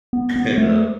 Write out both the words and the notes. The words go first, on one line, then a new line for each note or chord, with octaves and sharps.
And, uh
B3
B3
A3